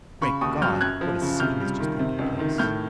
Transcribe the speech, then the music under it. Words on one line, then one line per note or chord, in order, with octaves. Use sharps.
Great God! what a scene has just taken place!
C#3 B5 C#6
D#2 C#6 D#6
F#3 F6 G6
F#2 F#6 G#6
F3
C#3
C3 F6 G6
G3
D#3
C3
C#2
D#3
A2 F6 G6